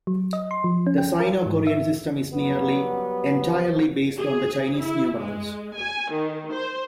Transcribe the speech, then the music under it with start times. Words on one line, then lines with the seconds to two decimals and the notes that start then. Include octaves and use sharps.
The Sino-Korean system is nearly entirely based on the Chinese numerals.
0.07 F#3
0.33 D#5
0.51 C6
0.64 F3
0.87 C#4
0.98 G5
1.20 A#4
1.46 G#2
1.67 E5
2.33 F#3 G3 B3
4.18 G#4
4.79 E4
5.20 G#3
5.78 G#5
6.12 D#3
6.53 C5